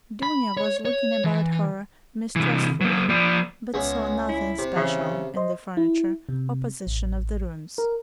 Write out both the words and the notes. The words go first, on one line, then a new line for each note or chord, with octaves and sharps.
Dounia was looking about her mistrustfully, but saw nothing special in the furniture or position of the rooms.
B5
C#5
C#5
E3
C3 E3
F#3 A#3
F3 D5
C#2 G#3 B3 E5
E4
C3
C#3 E3 E5
C5 D#5 C6
E4
C3
A1
A#4